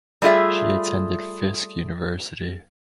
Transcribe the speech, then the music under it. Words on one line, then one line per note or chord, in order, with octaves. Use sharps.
She attended Fisk University.
G3 A3 F4 G#4 E5